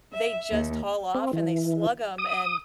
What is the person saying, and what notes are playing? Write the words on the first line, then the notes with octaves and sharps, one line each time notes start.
they just haul off and they slug 'em, and
E5
D#2
C4
E3
D#6